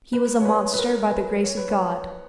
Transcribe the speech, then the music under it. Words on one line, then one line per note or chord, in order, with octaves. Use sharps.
He was a monster by the grace of God.
B4
C#5
B4
B4
A#4
B4
C#5
B4
C#5